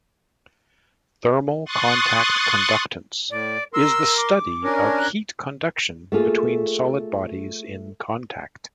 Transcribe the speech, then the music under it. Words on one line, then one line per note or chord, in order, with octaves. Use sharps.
Thermal contact conductance is the study of heat conduction between solid bodies in contact.
C6 C#6 D#6 F#6 A6
A2 D5
A#4 C6 E6
D6
C#4 D4 A#4
F#6
A3 A#3 F4 G#4